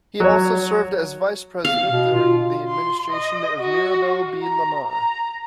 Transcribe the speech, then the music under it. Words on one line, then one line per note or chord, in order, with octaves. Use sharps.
He also served as Vice President during the administration of Mirabeau B. Lamar.
F#3 C#5
F5
B2
F4
C6
D#5
F#4
A#5
A#5